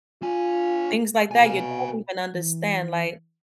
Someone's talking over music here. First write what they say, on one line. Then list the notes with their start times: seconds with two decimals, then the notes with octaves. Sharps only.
Things like that, you don't even understand, like,
0.23 D4 F4 G#5
1.31 B2 F5 G#5
2.34 E3